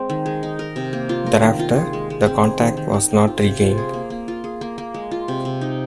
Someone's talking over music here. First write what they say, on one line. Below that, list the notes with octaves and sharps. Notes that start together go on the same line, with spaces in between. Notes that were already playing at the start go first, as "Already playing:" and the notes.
Thereafter the contact was not regained.
Already playing: G#3 C4
D#3
G#3
D#4
A#4
C3
A#3
F4
A#4
D#3
F4
G#4
G#3
G#3
C4
G#4
D#3
D#3
D#3
C4
F4
C3
F4
G#4
A#3
A#3
F4
G#4
A#3
A#3
G#3
F4
C3
C3
D#4